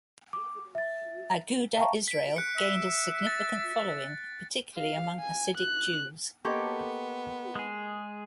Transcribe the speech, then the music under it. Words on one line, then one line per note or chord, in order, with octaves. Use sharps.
Agudath Israel gained a significant following, particularly among Hasidic Jews.
D6
E5 A6
E5 F5 G5 A5 A#5 C#6
B6 D7
F#6 C#7
E5
A6
F5
G#5
F#6
A#3 B3 G4 A4 D#5 C6 C#6
G#3 G#4